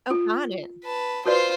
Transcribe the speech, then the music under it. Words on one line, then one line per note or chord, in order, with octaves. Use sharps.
Oh, got it.
F4
B4 A5
F4 F#4 B4 C5 D5